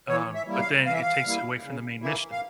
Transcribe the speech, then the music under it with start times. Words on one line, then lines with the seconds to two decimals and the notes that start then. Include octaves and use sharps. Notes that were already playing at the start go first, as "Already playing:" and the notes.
Um, but then it takes you away from the main mission.
0.08 E3 C#5
0.35 E5
0.48 G3 A#3 E4
0.60 F5
0.86 E3 F5
0.93 E5
1.01 F5
1.25 G3 A#3 E4
1.63 C#3
2.02 E3 A#3 E4
2.31 F5